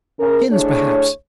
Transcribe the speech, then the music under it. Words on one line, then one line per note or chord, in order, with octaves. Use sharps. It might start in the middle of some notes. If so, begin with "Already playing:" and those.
Skins perhaps.
C#3 A#4
A2 D4 G#4 C#5